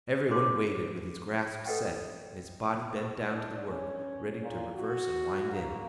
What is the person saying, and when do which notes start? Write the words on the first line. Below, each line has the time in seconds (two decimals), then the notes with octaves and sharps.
Every one waited with his grasp set, and his body bent down to the work, ready to reverse and wind in.
0.31 F4 A#4 C5 C#5 C6 D6
1.66 A4 B4 D#5 F#5 G5
3.32 D4
3.68 C#4
4.43 A#2
4.75 F#4
5.52 A#3